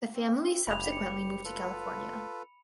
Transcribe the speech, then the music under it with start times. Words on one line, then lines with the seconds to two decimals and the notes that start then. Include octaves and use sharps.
The family subsequently moved to California.
0.15 C4
0.67 F#1 G4 B5 F7
0.92 C#7
1.45 F4 A4 B4